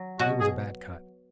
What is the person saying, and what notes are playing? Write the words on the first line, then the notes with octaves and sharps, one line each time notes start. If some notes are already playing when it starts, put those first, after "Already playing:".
It was a bad cut.
Already playing: F#3
B2 F#4
G#4